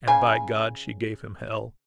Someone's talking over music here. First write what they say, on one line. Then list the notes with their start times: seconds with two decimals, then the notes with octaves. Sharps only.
And, by God, she gave him hell.
0.07 C#3 G#5